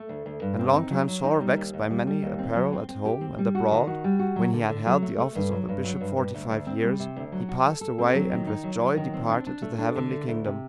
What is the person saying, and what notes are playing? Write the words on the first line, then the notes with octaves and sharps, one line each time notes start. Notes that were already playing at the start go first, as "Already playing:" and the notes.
And long time sore vexed by many a peril at home and abroad, when he had held the office of a bishop forty-five years, he passed away and with joy departed to the heavenly kingdom.
Already playing: A3
D2
D2
G2
C4
D#4
F#3
F#3
D#4
G3
D#2
D#2
G3
G3
D#2
C4
F#3
C4
C4
G4
C4
G3
F#4
D#3
F#4
G3
F#4
F#3
D3
D3
F#3
A3
A3
G2
F#3
G2
F#3
G2
G2
D2
D2
C4
G3
C3
D2
F#3
F#4
A4
A4
C4
F#3
D#3
D#4
F#3
F#3
D#3
C4
D4
D4
A3
D4
D3
A3
D2
C3